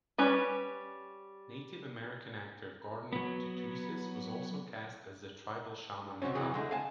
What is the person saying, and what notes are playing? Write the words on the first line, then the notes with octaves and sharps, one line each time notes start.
Native American actor Gordon Tootoosis was also cast as the tribal shaman Nekata.
G3 C#4 B4
F#3 B3
C#2 B2 F#3 C4 C#4
C3 D#3 E3 F#3 G#4
D3 G#3 A3
F5 F#5 G#5 A5